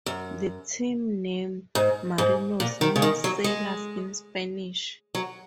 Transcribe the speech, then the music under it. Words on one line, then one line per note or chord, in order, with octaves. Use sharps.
The team name "Marinos" means "sailors" in Spanish.
F#2
G#2
G#2
A#2
D#3
C#3
D#3
F#3
G#3
F#3